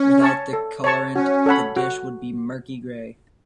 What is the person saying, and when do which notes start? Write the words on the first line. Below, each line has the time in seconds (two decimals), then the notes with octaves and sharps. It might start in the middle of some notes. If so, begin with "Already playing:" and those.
Without the colourant the dish would be murky grey.
Already playing: C#4
0.22 C#5 A5 C#6
0.53 A4
0.84 C#5 A5 C#6
1.15 C#4 F#4
1.46 A4 C#5 F#5 B5
1.76 F#4